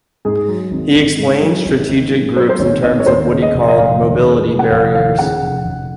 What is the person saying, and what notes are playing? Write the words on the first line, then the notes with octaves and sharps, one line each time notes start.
He explained strategic groups in terms of what he called "mobility barriers".
G#2 G#4
F#3
G#1
G#1
G#2
F#3
G#1
G#1
G#2
F#3 C5
C5
G#1 C#5
G#1 D#5
C#5
D#2 C5
C#3
D#5
F1
D#5
F1 F5
D#2
C#3
F1
F#5
F1 F5
D#2 F5
C#3 F#5
F1
F1